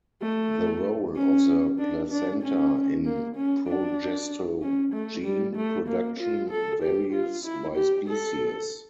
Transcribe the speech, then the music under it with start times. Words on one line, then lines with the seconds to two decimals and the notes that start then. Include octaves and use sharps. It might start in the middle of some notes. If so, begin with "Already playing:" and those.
The role of the placenta in progestogen production varies by species.
0.22 A3
1.16 C#4
1.78 D4
2.11 D4
2.42 C#4
3.05 A#3
3.36 C#4
3.68 D4
4.62 C#4
4.93 A3
5.24 G3
5.56 A3
5.88 A#3
6.20 F4
6.50 A4
6.82 G4
7.13 F4
7.44 E4
7.76 G4
8.08 A4